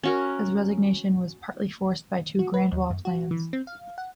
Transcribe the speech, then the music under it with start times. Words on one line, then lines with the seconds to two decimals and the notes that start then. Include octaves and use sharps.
His resignation was partly forced by two grandiose plans.
0.03 C#4 F#4 A#4
2.39 F#4
2.54 B4
2.72 D#2
2.90 F#2
3.05 F#4
3.31 E3
3.53 C4
3.67 F5
3.98 F#5